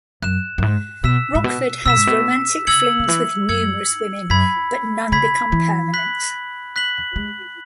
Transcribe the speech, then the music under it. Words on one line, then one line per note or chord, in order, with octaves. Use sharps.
Rockford has romantic flings with numerous women, but none become permanent.
F#2 F#6 E7
F#2
G#2
B2 E6 B6 E7
G#2
B2
B2 E6 B6 E7
G#2
B2
C#3 E6 G#6 C#7 F#7
C#3
E3
F#2 E6 G#6 C#7 F#7
F#2 B5 G#6 B6
C#3 B5 G#6 B6
E3
F#6 B6 F#7
F#6 B6 F#7
G#3